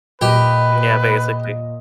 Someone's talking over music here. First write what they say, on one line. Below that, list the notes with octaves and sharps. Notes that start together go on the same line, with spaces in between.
Yeah, basically,
A#2 G4 B4 D#5